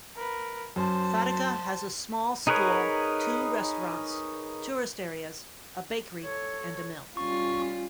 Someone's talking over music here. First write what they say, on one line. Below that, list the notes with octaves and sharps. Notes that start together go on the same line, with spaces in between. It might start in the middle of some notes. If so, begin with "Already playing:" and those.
Fataga has a small school, two restaurants, tourist areas, a bakery and a mill.
A#4 B4
F#2 C5 A5
D#4 G#4 A#4 B4 C#5
A4 C#5
G3 C#4 F4 C#6